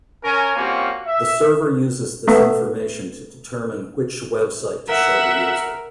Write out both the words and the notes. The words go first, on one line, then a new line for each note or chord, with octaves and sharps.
The server uses this information to determine which website to show the user.
C#4 A#4 G#5
G3 A#3 C4 C#4 F4 F#4
E5
A3 B3 E5
A#4 E5 F#5